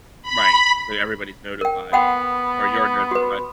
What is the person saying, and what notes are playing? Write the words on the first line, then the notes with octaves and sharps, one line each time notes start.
right, where everybody's notified and or you're notified.
B5
A#4 G5
B3 F#5 G5 C6
F#4 B4